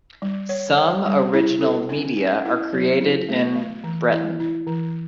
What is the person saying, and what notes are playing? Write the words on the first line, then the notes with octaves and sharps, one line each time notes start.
Some original media are created in Breton.
G3
C#5
C#5
G3
E4
A4
C#4
C#4
E4
F#3
E4
A3
A3
E3
E4
E4
E3